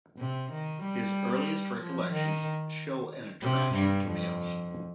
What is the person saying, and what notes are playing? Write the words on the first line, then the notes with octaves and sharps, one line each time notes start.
His earliest recollections show an attraction to males.
C3
D#3
G3
F3
D#3
C3
G2
F2